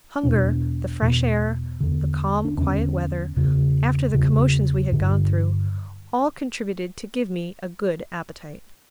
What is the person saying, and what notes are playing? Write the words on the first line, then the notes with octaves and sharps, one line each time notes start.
Hunger, the fresh air, the calm quiet weather, after the commotions we had gone through, all contributed to give me a good appetite.
E2 B2 D4
E2 B2
E2 D3
D4
E2 D3 C#4
E2 C#3
E2 C#3
G2 D3